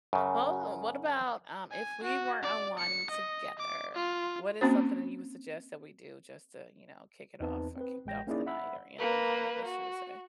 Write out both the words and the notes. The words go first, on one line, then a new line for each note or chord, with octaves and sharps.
Well, what about, um, if we were unwinding together, what is something that you would suggest that we do just to, you know, kick it off or kick off the night or end the night, I guess you would say?
F#2 C#3
G#5
F#4
D5
C#7
D#5
D6
F4
A#3 C4 C#4 F#4 C5
E2 C4 D#4 B4 A5
C4 B4
A1 G#3 G5 A#6
A#3 C#4 D#4 E4 G#4 D5
E5 F#5 B5 E6
A#3 B4
F#4